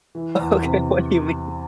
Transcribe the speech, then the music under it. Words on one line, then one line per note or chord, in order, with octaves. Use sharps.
Okay, what do you mean?
E3
E2
C3